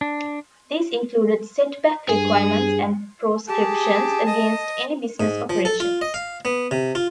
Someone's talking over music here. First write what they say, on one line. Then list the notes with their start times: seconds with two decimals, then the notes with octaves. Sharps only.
These included setback requirements and proscriptions against any business operations.
0.01 D4
2.09 G2 G#4
3.48 G4 G#4 A5
4.26 D#5
5.20 G#2
5.50 F3
5.65 A4
5.80 F4
6.01 D#5
6.14 F5
6.45 B3
6.71 C3
6.95 F4